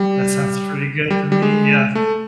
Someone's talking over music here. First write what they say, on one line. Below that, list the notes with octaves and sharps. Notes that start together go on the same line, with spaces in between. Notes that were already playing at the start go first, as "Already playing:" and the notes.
that sounds pretty good to me, yeah.
Already playing: G3
G3
G3
G#3
A3